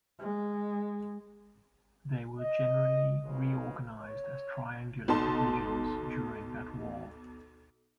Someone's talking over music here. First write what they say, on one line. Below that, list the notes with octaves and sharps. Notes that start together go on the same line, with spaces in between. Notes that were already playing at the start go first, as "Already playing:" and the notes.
They were generally reorganized as triangular divisions during that war.
G#3
D#5
B1 F2 C#3 G#3
C#5
B1 D#4 A4 A5 C6